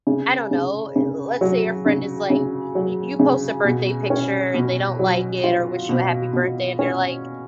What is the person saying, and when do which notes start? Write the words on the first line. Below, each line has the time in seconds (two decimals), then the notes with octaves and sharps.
I don't know. L let's say your friend is, like, you you post a birthday picture and they don't like it or wish you a happy birthday, and they're, like,
0.07 C#3
0.51 C#3
0.96 C#3
1.41 F#3
1.86 C#3
2.30 C#3
2.75 F#3
3.20 C#3
3.65 B2
4.10 C#4
4.54 B2
4.99 F#3
5.44 F4
5.89 B2
6.33 B2
6.79 C#4